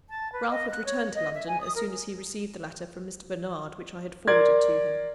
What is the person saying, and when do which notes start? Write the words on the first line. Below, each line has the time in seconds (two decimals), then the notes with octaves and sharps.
Ralph had returned to London, as soon as he received the letter from Mr. Bernard which I had forwarded to him.
0.08 A5
0.31 B4
0.49 D#5
0.69 F#6
0.84 C#5
1.14 D#5
1.34 E5
1.46 G#5
1.62 D#6
1.74 A#4
4.27 A#4 D5 C6 G#6